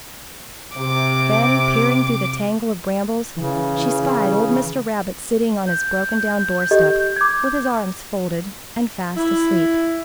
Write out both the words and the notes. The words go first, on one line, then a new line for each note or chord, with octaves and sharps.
Then, peering through the tangle of brambles, she spied old Mr. Rabbit sitting on his broken-down doorstep with his arms folded and fast asleep.
C3 D6
C#3 E3
G6
G4 A4 D#5
D6 G#6
E4